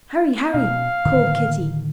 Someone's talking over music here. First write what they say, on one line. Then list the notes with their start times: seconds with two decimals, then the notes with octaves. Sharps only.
"Hurry, hurry!" called Kitty.
0.54 B2 F5
1.05 A2 D3 D#3